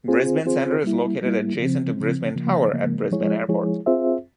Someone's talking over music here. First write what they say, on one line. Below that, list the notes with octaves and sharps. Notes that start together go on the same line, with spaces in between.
Brisbane Centre is located adjacent to Brisbane Tower at Brisbane Airport.
C4 F4 G#4 C5
C4 F4 G#4 C5
G3 A#3 E4
G3 A#3 E4
C#3 F3 C4
C#3 F3 C4
C#3 F3 A#3
C#3 F3 A#3
F3 G#3 E4 G#4 C#5
F3 G#3 E4 G#4 C#5
C4 F4 G#4 C5 E5